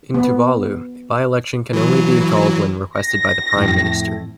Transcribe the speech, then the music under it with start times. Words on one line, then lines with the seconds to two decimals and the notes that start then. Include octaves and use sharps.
In Tuvalu a by-election can only be called when requested by the prime minister.
0.14 B3
1.73 E3 F#3
2.98 A#6
3.55 F2 A2